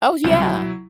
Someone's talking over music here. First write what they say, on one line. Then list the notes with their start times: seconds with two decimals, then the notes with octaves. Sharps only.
Oh yeah.
0.24 C#2 C3 F#3 G3
0.43 F#3 E4